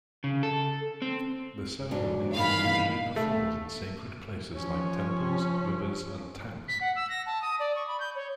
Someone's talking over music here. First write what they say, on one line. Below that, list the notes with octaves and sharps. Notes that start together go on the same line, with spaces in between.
The ceremony is usually performed in sacred places like temples, rivers and tanks.
C#3
A4
C4
G#2 F#3 D4
E2 G2 D#3 F5 B5
A3
F3 C#4
B6
F#5
E6
A#6
A5
D#6
D5
C#6
B5
G6
C#5